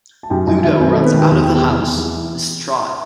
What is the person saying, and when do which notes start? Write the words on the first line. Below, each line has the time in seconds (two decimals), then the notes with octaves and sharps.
Ludo runs out of the house, distraught.
0.23 A5
0.30 F#2 G4 G5
0.47 F#2 D#4 D#5
0.63 D#3 E4 E5
0.80 F#2 C4 C5
0.93 A3 A4
0.97 D#3 C5
1.05 B3 B4
1.14 D#3 G4 G5
1.31 E2 G4 G5
1.44 G4 G5
1.48 E2
1.55 G4 G5
1.65 C3
1.80 E2
1.98 E3